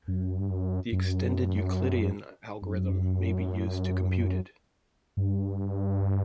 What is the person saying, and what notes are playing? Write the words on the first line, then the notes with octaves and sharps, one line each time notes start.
The extended Euclidean algorithm may be used to compute it.
F#2
G2
F#2
F#2
F#2
G2